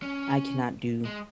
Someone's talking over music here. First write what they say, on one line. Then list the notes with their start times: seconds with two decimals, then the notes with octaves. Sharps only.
I cannot do
0.02 C#4
1.05 G#3